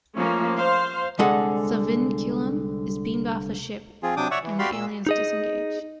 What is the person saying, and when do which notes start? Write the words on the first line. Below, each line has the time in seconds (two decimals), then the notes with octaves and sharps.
The vinculum is beamed off the ship and the aliens disengage.
0.15 F3 A3 A#3 C#4
0.56 C5 F5 C6
1.19 C2 D3 G#3 A4 F#5
4.03 F3 C4 F4 G#4
4.17 C3 F#3 D4 G5 D6 D#6
4.31 C#5 D5 E5 F#5 C#6
4.43 E3
4.59 F#4 G4 D5 F5 B5 C6
4.72 A#2 E6
5.07 D#4 G#4 D#5